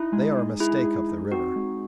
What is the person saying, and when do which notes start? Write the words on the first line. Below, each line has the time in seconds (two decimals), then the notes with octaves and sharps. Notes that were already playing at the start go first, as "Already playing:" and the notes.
They are a mistake up the river.
Already playing: D#4 E4
0.12 G#3
0.36 G#3
0.60 E4 G#4
0.84 G#4
1.09 D#4
1.32 C4 F#4
1.56 G#3